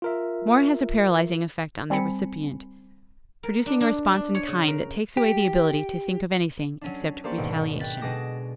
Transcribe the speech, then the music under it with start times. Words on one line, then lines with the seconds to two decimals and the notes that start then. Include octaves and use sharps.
More has a paralyzing effect on the recipient, producing a response in kind that takes away the ability to think of anything except retaliation.
0.02 F4 A#4 E5
1.90 G3 C4 G#5 A5 B5 C#7
3.43 A#4
3.66 D4
3.81 D4
4.13 D4
4.35 C#5
4.48 C#3
4.67 A#4
5.17 G4
6.81 F#3 C#4 D4
7.24 A#3 D4 G4 C5 D5 C#6
7.38 G#1 B2
7.80 G5 F#6 A6 B6
8.01 B2 G#3 G#4 D6 A#6 E7